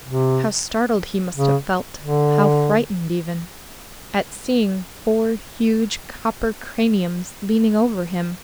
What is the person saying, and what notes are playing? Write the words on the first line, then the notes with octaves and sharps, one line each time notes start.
How startled he must have felt, how frightened even, at seeing four huge, copper craniums leaning over him!
C3
C#3
D3